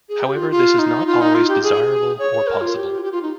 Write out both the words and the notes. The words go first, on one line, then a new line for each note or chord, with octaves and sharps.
However, this is not always desirable or possible.
G#4
G4
F4
F4
D#4
F4
D#4
F4
G4
G#4
C#5
A#4
F4
G4
F4
G4
F4
D#4